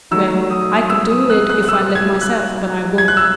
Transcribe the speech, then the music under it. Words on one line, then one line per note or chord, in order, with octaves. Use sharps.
Well, I could do it if I let myself, but I won't.
D#3 F#3 A3 E6
D#6
E6
D#6
F#6
F#6
F#6
E6
G#6
F#6
G#6
F#6
E6